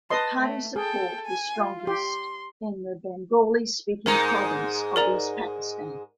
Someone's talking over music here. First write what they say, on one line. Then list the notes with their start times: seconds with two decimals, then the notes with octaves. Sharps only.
The party's support was strongest in the Bengali speaking province of East Pakistan.
0.10 B4 D#5 A5 C6
0.39 A3
0.76 G#4 A4 G5
1.26 G#5
1.56 F4
1.87 G4 C6
4.06 G#2 G#3 D#4 A#4 A#5
4.96 A#4 D5 A#5